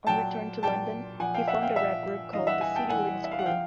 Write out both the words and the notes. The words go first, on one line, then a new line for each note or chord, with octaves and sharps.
On return to London, he formed a rap group called the City Limits Crew.
A#2 F#3 G5 A5
A#2 F#3 G5 A5
A#2 F3 F#5 G#5
F5 G5
E5 F#5
F5 G5
A#2 F3 E5 F#5
G2 E3 D#5 F5
E5 F#5
F#5 G#5
G5 A5
G2 E3 F#5 G#5
E5
F5
F#5
F3 F5 G5